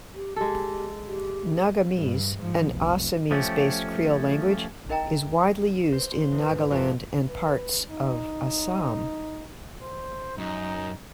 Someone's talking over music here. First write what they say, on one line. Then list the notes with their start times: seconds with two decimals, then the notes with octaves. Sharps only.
Nagamese, an Assamese-based Creole language is widely used in Nagaland and parts of Assam.
0.15 G4
0.36 G#3 G4 A4
1.07 G4
1.95 G2
2.37 G#2 F3
2.68 F1 B1
3.31 F3 A3 C#4 G4
4.89 D#4 A#4 D#5 G5 A#5
5.92 C5
6.11 C6
6.32 E2
6.49 G#2
6.71 F2
7.28 B4
7.90 D#4
9.83 C5
10.38 F#2 D#4